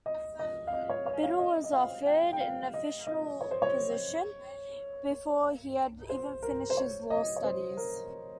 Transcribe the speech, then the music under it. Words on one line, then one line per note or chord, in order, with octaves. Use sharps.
Biddle was offered an official position before he had even finished his law studies.
D#5
D#5
F5
D#5
C#5
C#5
F5
D#5
D#5
F5
G5
G5
F5
D#5
D#5
C#5
C5
C#5
C5
A#4
C5
C#5
D#5
C#5
C5
A#4